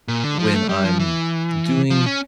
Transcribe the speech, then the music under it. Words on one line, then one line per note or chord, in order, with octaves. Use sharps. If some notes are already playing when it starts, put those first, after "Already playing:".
when I'm doing
A#2
D3
F3
A3
G3
F3
E3
F3
C#4